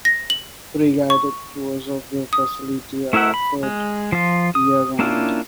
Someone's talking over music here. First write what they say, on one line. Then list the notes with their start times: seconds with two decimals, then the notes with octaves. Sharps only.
Free guided tours of the facility are offered year-round.
0.05 A#6
0.30 F#7
1.10 C#6
2.33 D#6
3.13 A3 E4 A#4 E5 F#5
3.34 B5
3.63 G#3
4.12 F3 F4
4.55 D#6
4.99 A#3 C#4 D4 E4 F4